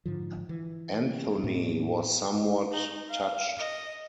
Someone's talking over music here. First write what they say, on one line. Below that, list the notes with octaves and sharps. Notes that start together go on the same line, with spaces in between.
Anthony was somewhat touched.
G#2 D3 F3
E3
A2 F#3 A#3 C4
D#4
F5
D#5